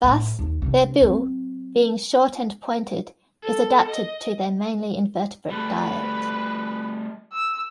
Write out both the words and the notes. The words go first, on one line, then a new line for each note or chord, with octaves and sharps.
Thus, their bill, being short and pointed, is adapted to their mainly invertebrate diet.
A2
D#2
C3 D4
F#3 C4
A4
D#5
G3 A3 B4
E6